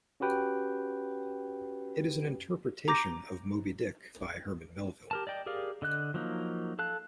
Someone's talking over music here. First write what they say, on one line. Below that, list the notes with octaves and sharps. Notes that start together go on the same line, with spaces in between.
It is an interpretation of "Moby-Dick" by Herman Melville.
C#4 F#4 G4 B4 G5
A#5 D6 G6 A#6
G4 A#4 A5
D5 D#5 G5
G4 G#4 A#4 D5 F5
D3 D#5 F#6
F3 F#3 A#3 D#4
A4 F5 A5 F#6